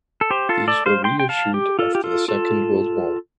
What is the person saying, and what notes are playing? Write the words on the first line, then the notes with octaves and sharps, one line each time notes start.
These were reissued after the Second World War.
A4
G4 C5
F4 A4
A4 D5
C5 F5
G5 C6
G5
F5 A5
G4
F4 A4
G4
F4 A4
F4 A4